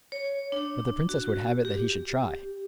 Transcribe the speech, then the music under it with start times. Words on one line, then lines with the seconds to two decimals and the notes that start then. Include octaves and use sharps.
But the princess would have it that he should try.
0.12 C#5
0.52 D4
1.09 F#4
1.65 G4